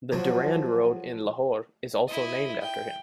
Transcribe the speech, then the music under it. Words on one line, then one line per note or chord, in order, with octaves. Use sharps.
The Durand Road in Lahore is also named after him.
F3 F#3
E4 D#5
G5